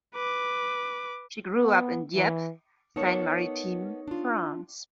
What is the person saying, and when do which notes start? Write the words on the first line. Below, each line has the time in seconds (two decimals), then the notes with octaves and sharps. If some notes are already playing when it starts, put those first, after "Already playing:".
She grew up in Dieppe, Seine-Maritime, France.
0.15 B4 D6
1.56 B3
2.15 E3
2.96 B3 D#4 A#4 C#5 A5
4.08 D4 F4